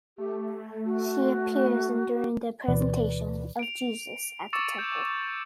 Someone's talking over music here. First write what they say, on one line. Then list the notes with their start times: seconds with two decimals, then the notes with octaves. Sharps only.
She appears in during the presentation of Jesus at the Temple.
0.18 A3 G4
0.85 F#4
2.68 D2 B2 E3 B4 D5
3.59 D7 F7
4.53 C#6 D6 E6 A6 C#7 E7
4.79 G6